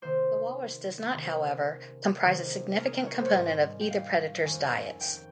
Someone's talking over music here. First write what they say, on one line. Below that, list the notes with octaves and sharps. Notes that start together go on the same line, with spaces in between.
The walrus does not, however, comprise a significant component of either predator's diets.
C3 D#3 A#3 C5
C3 D#3 A#3 C#4
C3 D#3 A#3 C#4 G#4
A#4
G#4
A#4
C#5
C5
C#5
G#2 G3 C4 D#5
G5
F5
F2 D#3 A#3 C#4 G#5
G5